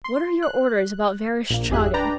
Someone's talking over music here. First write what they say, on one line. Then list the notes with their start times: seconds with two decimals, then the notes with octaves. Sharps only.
What are your orders about Vereshchagin?
0.04 C6
0.43 F#6
1.50 A#1 A#3
1.70 G#1 F2 G4 G#4 E5 F#6
1.94 D4 B4 D5 G5 A#5